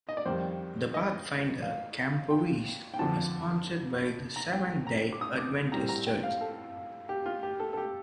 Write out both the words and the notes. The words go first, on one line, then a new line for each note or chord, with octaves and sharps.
The Pathfinder camporees are sponsored by the Seventh-day Adventist Church.
D#5
D5
F2 D#3 G3 C5
D#5
F5
G5
G5
F2 D3 F3 A5
A#5
G5
A#5
D6
D#6
D6
A2 G3 C4 A#5
A#5
G5
F5
A4
G4
F4
G4
A4
A4
G4